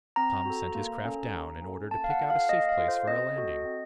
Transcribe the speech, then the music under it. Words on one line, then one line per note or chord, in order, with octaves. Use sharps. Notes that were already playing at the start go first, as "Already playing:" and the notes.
Tom sent his craft down, in order to pick out a safe place for a landing.
C4 A#5
F#4 A4
A#3
C#4 A4
A#3
C#4 A4
A#3 A5
F5
F#5
F4 A4
F5
A#3 D#5
F5
F4 A4
C5
C4 D#5
F#4 A4
C4